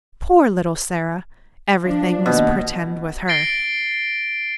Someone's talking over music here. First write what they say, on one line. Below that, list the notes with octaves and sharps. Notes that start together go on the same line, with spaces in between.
Poor little Sara! everything was "pretend" with her.
F3 D4
D#2 B2
A6 A#6 C7 D7 G7